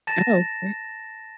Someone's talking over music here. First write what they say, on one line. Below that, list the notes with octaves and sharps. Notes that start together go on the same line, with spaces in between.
Oh. Mm.
A5 A6 A#6 E7